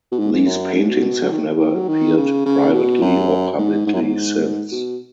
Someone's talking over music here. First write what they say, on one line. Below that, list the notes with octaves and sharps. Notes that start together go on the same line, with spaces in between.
These paintings have never appeared privately or publicly since.
B2
G#2
G#2
F#2
G#2
B2
F#3
D#3
D#3
F#3
D#3
C#3
C#3
B2
F#2
G#2
G#2
F#2
G#2
B2